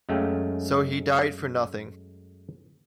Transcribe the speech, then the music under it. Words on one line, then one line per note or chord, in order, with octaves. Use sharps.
So he died for nothing.
F#2 G#3 A3 C#4 F5 G5